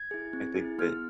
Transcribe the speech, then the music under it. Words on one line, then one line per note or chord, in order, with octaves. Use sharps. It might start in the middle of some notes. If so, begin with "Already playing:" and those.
I think that
Already playing: G#6
E4 G#4
C4
E4 G#4
B3 F6